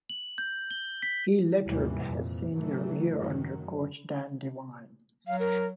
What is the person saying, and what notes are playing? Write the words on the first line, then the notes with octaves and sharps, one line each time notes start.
He lettered his senior year under coach Dan Devine.
F#7
G6
G7
B6
D#2 G#2 C3 E3 G3
F2 A#2
G#2 C3 E3 F#3 A3
F#2 A2 D#3 F#3
F#3 F5
A#4